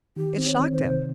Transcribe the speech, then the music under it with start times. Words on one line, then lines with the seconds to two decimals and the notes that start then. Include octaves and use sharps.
It shocked him.
0.16 D#3 G4
0.38 C4
0.45 C#5
0.60 D#3
0.73 C5
0.80 C3